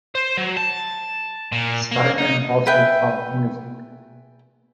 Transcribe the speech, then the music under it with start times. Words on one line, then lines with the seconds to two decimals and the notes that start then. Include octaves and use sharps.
Simeon also taught music.
0.15 C5
0.37 F#3
0.57 A5
1.52 A#2
1.91 A#3
2.18 D#4
2.66 G#4 B4 E5 G5